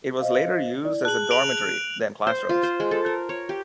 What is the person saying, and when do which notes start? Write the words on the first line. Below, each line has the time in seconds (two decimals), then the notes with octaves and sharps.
It was later used as a dormitory, then classrooms.
0.20 C5 D#5 F5
0.85 E4 D5
1.05 G#4 A5 F#6 F#7
1.31 D7 F7 F#7
2.27 C5
2.49 F4
2.63 C5
2.80 G#3
2.91 A4
3.06 A#4
3.29 C#5
3.49 G4